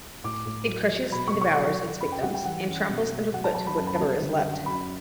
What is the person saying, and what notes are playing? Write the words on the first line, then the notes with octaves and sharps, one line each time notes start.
It crushes and devours its victims, and tramples underfoot whatever is left.
A2 D6
A2
F#3
F#3
B2 B5
C#6
B2
C#6
F#3
F#3
F#2 B5
G5
G3 F#5
G5
E3 F#5
F#2
B2
B2
F#3 F#5
A5
F#3 A5
B5
F#2 A5
B5
G3 A5
D3
F#2
F#2 B5